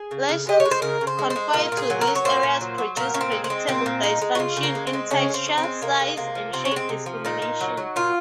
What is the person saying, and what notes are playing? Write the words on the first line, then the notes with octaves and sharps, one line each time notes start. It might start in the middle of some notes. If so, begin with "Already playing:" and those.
Lesions confined to these areas produce predictable dysfunction in texture, size, and shape discrimination.
Already playing: G#4
C#3
C#3
G#3 D#5
C#5
G#3
C5
C#3 A#4
C#3
C5
G#3
C5
G#3
A#2 A#4
A#2
G#4
F#3
A#4
F#3
C#5
A#2 C5
A#2
F#3
F#3
A#2 A#4
A#2 C#4
C4
G#3
C4
G#3
A#2 C4
A#2
G#3 D#4
G#3
F#4
C#3 F4
C#3
A#3
G#3
C4
G#3
C#3 C#4
C#3 C4
G#3
C4
G#3
C3 A#3
G#3
C3 A#3
F3
C3 C4
C#4
G#3 C4
C3
F3
A#2 D#4
A#2
F#3
F#3
A#2 F4